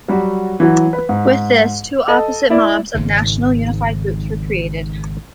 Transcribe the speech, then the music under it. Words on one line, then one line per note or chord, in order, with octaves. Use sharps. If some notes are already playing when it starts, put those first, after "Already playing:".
With this, two opposite mobs of national unified groups were created.
F#3 G3 F#4
E3 F#3
B4
G#2
A4 D#5
E4 D5
G#1 G#2 C#3